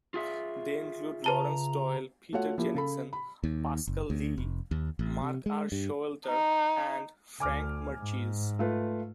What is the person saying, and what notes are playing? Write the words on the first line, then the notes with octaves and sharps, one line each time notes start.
They include Laurance Doyle, Peter Jenniskens, Pascal Lee, Mark R. Showalter, and Franck Marchis.
F4 G#4 E5
C#3 B4 A5 A#5 G7
A3 F4 F#4 C#5 F#5
F3 A#3 E4 G4
C#3 A4 B5
B5
D#2
F#1
D2
F1
D#2
A1
C3
G#3
G2
D#4
D2 G#5 D6 F6
G#2
A3 F4 B4